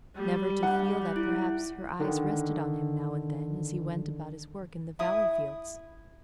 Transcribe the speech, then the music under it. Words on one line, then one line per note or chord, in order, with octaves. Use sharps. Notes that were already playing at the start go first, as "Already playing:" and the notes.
Never to feel that perhaps her eyes rested on him now and then as he went about his work in the valley fields!
G3
F#5
E4
D3 D#3
E4 D#6